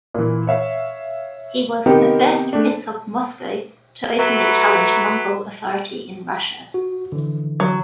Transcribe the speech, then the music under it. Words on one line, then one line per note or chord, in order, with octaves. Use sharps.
He was the first prince of Moscow to openly challenge Mongol authority in Russia.
A#2 E3
C#5 E5 F5
C3 D#3 B3 C4 D#4 G4
A3 D4
F#3 A3 B4
F#4
D3 E3
F#3